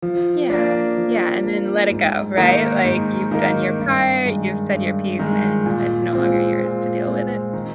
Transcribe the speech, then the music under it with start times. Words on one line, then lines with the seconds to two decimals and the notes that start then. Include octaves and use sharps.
Yeah. Yeah, and then let it go, right? Like, you've done your part, you've said your piece, and it's no longer yours to deal with it.
0.02 F3
0.50 A#3 D4
0.97 F3
1.43 A#3 D4
1.90 G#2
2.37 D#3 A#3 D#4 A#4
2.84 G#2
3.31 D#3 A#3 D#4 A#4
3.78 G2
4.25 D#3 G#3
4.72 G2
5.19 D#3 G#3
5.66 A#2
6.13 G#3 C4 F4
6.60 A#2
7.07 G#3 C4 F4
7.53 D#3